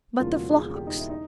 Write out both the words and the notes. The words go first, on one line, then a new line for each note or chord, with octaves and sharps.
"But the flocks!"
E1 E2 C#3 F3 A#3 F4
F#4
G#4
G#4
G4
D#4
E4
D#4